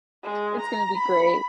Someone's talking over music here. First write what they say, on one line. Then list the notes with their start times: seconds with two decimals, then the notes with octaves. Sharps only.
it's gonna be great.
0.23 G#3
0.60 A#5
0.97 B5